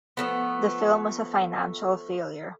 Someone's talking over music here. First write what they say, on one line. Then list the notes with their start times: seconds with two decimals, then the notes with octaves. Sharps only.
The film was a financial failure.
0.17 F3 A3 B3